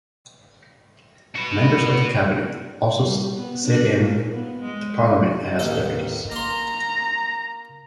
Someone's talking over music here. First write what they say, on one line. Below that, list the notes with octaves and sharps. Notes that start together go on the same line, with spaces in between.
Members of the cabinet also sit in the parliament as deputies.
F#4 B4
G3
B3
D4
A#2
B3
G#3
A1 D#2 A4
A#3 A#5 C6